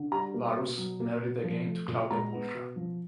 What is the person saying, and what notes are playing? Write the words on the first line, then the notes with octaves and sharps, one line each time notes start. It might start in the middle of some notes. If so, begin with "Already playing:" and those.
Varus married again to Claudia Pulchra.
Already playing: D3
G3 A#5
A#3
B2
F#3
A#3
B2
F3
A3
A#2
G#3 A#5
B3
B2
F3